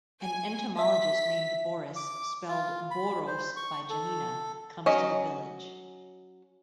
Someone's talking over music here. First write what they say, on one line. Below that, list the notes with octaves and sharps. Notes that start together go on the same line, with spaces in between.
An entomologist named Borys–spelled "Boros" by Janina–comes to the village.
G#5
E5 B6
D6
F4
B5
C5
C#6
A4
F#3 C#4 D#5